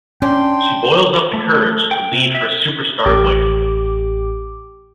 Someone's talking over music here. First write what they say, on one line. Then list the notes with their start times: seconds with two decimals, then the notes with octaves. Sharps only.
She boils up the courage to leave her superstar boyfriend.
0.22 C#4 D4 G5 C6
1.34 A3
1.91 G5
2.12 C3
2.35 E5
3.06 A1 G4 D6